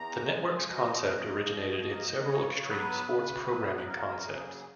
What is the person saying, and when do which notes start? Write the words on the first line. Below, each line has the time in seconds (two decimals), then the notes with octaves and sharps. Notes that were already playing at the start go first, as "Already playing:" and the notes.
The network's concept originated in several extreme sports programming concepts.
Already playing: E2 A#5
0.29 C#3 G#3 G#5
0.69 B2 D#5
1.09 A#3
1.48 B2
1.88 A#3
2.27 C#3 C#5
2.67 F#3 B3 B4
3.06 C#3
3.46 F#3 B3
3.77 B4
3.86 E2 A#4
4.25 C#3 F#3 A#3 G#4